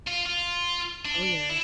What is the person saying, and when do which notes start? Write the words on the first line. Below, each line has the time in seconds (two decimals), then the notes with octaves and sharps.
Oh, yeah.
0.07 F4
0.25 F4
1.05 D4
1.50 E4